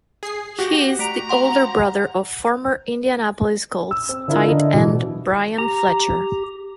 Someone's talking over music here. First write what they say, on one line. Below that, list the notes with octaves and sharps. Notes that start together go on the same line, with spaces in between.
He is the older brother of former Indianapolis Colts tight end Bryan Fletcher.
G#4 C7
F#4 G4 A#6
A3 A#5 B6 D7
F5 F#5 C6
E6
C4
D3 C4 E4 F4 A#4
D3 D#5
B2 E3 F3
G4 A#5